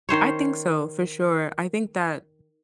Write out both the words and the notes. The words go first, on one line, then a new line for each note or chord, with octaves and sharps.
I think so for sure, I think that
D#3 C5 C#5